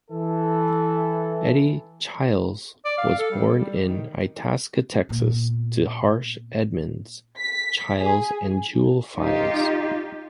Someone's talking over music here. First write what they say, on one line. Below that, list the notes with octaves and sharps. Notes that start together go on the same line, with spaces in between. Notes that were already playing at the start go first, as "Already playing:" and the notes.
Eddie Chiles was born in Itasca, Texas to Harsh Edmonds Chiles and Jewell Files.
E3 A4
D5
F5
A4
G3
G3
D#3
A#2 B3
B6
G#4
D#4 F4 G4